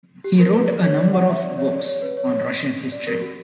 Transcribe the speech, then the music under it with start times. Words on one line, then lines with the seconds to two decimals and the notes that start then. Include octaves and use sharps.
He wrote a number of books on Russian history.
0.24 G4
0.39 A#4
0.54 B4
0.85 C#5
0.99 D5
1.13 F#5
1.28 E5
1.43 D5
1.58 C#5
1.73 D5
1.88 C#5
2.02 B4
2.17 C#5
2.92 D5
3.07 A#4
3.22 F#4